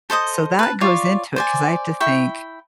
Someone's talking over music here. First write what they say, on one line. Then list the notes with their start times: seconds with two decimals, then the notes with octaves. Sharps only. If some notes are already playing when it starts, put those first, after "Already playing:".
So, that goes into it, 'cause I have to think,
0.10 A4 C5 D#5 D#6
0.59 B4 A5
0.81 F4 C#5 D5
1.36 C5 D5 G#5
2.00 E4 G5 C#6